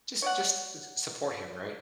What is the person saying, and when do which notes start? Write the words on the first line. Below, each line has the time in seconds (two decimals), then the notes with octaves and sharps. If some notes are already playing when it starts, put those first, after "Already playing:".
Just just just support him, right?
0.22 C#5 D5 F#5